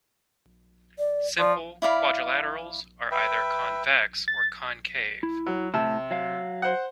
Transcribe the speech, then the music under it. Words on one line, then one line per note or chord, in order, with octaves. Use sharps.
Simple quadrilaterals are either convex or concave.
D5
F3 D5
E4 D5 F5 B5
B4 E5 G5
A6
E4
F#3
A2 C3 E4 A5
F#3 F5
C5 F#5